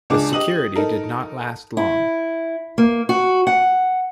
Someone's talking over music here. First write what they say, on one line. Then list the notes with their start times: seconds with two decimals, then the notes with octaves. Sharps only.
This security did not last long.
0.10 C#2 D4 G#4 D6
0.33 G4 D#5 D#6 F#7
0.75 D#4 A4 A#4
1.77 E4
2.78 A#3
3.09 F#4
3.47 F#5